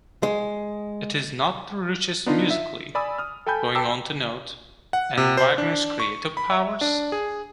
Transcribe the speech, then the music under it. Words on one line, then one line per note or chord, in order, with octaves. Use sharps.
It is not the richest musically," going on to note "And Wagner's creative powers?
G#3
B3 D4 D#4 F4
E5
D5 G#5 B5 D#6 E6
D#6 F6
A4 G5 G#5 B5 G6
B4 G5 A5 A#5 D6 E6
F#5
C3
C5
D4
C#6
B5
E5
D4
G#4